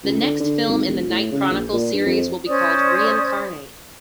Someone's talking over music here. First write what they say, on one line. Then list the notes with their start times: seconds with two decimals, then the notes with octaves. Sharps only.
The next film in the Night Chronicles series will be called "Reincarnate".
0.03 C#2
0.21 D3
0.40 D3
0.68 G#1
0.87 E1
1.09 A2
1.32 C#3
1.51 A#1
1.73 A#2
1.93 G2
2.06 F2
2.47 C#4 C5 D5 D#6